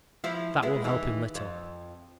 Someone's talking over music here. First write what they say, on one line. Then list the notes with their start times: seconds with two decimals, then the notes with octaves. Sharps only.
That will help him little.
0.24 F3 E4
0.62 G#3 B3 E4
0.84 D#2 E3
1.35 F2